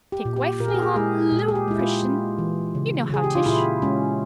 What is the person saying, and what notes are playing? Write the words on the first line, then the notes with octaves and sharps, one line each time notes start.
Take wifely home li'l preshent--you know how 'tish.
G4
A#2
G4
A#2 A#4
G#4
G4
G#4
G#3 G#4
A#2
G#4
G4
G#3 E4
F4
G#3
E3
C#3
C#3 G#4
G4
F4
A#2 E4
G#3 C#4